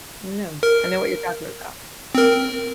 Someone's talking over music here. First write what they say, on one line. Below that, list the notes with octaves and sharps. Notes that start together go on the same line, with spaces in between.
I know I know what you're talking about.
A#4
C4 A#4